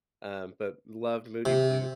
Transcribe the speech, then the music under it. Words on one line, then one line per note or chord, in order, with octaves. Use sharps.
um, but love Moody Blue
C3